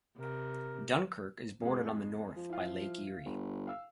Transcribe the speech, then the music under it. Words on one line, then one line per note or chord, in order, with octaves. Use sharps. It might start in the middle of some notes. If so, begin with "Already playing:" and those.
Dunkirk is bordered on the north by Lake Erie.
C3 A#4
F2 G#3
F3
E4 F5
G1
F5 E6